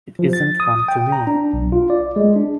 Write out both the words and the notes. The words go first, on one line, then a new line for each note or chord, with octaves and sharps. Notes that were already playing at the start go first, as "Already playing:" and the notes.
It isn’t one to me.
F3
A6
D#6
G5
A#5
D4
B1
F4
D5
G#3
D4